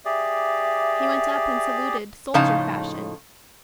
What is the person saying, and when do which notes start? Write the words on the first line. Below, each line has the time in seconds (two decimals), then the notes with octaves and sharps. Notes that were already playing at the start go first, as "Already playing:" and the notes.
He went up and saluted, soldier-fashion.
0.05 G4 G#4 D5 E5
2.34 A2 C#3 F3 D#4 F5 A5